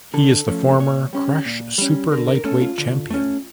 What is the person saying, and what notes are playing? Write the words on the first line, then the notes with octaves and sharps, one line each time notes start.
He is the former Krush Super Lightweight champion.
D3 A4
F3 A3 C#4
A#2 C#5
G3 C#4
A#2
G3 C#4
D3 A#4
A#4
A3 C#4 A4
F4
D3
A3 C#4